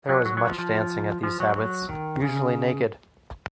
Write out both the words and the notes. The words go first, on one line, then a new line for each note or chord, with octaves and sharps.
There was much dancing at these sabbaths, usually naked.
F#3
F#3
F#3
F3
F3
F3
F#3
F#3
D#3
C#3